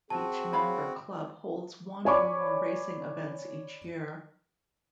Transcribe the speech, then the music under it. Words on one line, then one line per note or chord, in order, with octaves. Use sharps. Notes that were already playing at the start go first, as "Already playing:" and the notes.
Each member club holds one or more racing events each year.
C4 F#4 G#4 A5
C#5 F5 B5
C#5 D5 G#5 B5 C#6 D6